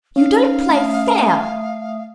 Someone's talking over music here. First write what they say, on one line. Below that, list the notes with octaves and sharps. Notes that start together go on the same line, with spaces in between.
"You don't play fair."
C#4 D#4 F5
A3 E5 D#6